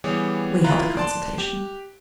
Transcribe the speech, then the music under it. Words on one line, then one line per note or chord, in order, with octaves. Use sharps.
We held a consultation.
E3 G3 B3 G4 G#4 C#5
E4 F4 A#5 F#6
D5 A5 C6
G4